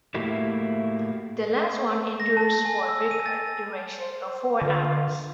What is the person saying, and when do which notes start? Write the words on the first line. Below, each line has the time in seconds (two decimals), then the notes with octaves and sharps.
The last one endures for a record duration of four hours.
0.14 A2 A3 A#3 E4 F#4 G4
2.20 A#6
2.37 A5
2.65 G#5
2.89 E6
3.11 D#7
3.26 A6
3.99 C5
4.61 D3 F4